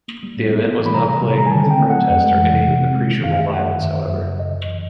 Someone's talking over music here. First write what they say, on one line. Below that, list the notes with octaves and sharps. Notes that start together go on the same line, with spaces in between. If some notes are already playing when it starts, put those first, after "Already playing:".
The event was not plagued with protest or any appreciable violence, however.
A#3
G3
A2
B3
G3
E3
B5
C3 A#5
C3 A#5
G3
D#3 A#5
G#5
D3 A5
C4 G5
A3
F#3 F#5
F2 F#5
G#3
E3
C3
C3
C4
G#3
D#3
F#2 F5
F5
A3 E5
F#3 F#5
D#3 E5
F#2
F#2
F#3
C#3
F#2 D#5
F#2
E3